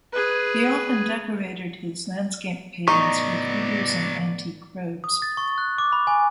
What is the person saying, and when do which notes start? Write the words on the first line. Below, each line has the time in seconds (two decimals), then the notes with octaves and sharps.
He often decorated his landscape paintings with figures in antique robes.
0.12 G#4 B4
2.88 A2 C#3 F#3 B3 D#4 D5 C#6
5.04 D#6
5.22 A6
5.37 C#6
5.58 F#6
5.78 D6
5.92 B5
6.07 G#5